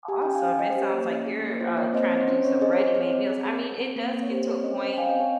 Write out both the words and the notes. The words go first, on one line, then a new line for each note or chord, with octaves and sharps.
awesome. It sounds, like, you're, uh, trying to do some ready-made meals. I mean, it does get to a point,
G4 G#5
C#4 G5
F5 G#5
C#4
C#4 D#5 G5
C5
G4
C#5
A#3 C#5
C#4
G#4
A#3
F4 C5
A#3 C#5
C4 C5 D#5
C5
C4 C#5
C#4 C5
C#4 C#5
G#4 C5 D#5
C#5
G#4 C5
C4 C#5
C4
G#4
G#4
C4
C4
A#3
A#3
C#5
G4 C5
C4 C#5
C#4 C5 D#5
C#4 C5 D#5
G5
C4 F5 G#5
D#5 G5
C4
C#5